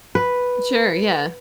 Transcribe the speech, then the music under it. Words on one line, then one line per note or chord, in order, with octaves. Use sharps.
Sure, yeah.
B4